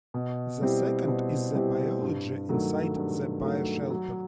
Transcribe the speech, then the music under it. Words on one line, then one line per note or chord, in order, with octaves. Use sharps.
The second is the biology inside the bioshelter.
B2
G3 C4 E4 G4
B2
G3 C4 E4 G4
G2
D#3 F#3 A3
G2
D#3 F#3 A3
F#3